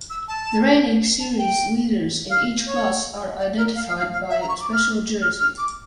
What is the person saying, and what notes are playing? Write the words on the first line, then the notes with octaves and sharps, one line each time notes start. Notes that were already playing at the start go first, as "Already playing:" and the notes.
The reigning series leaders in each class are identified by a special jersey.
E6
A5
A5
G5
F5
C#5
D5
A#4
F5
F5
F5
F5
E5
A#5
C#6
D6
F6
F6
F6
D6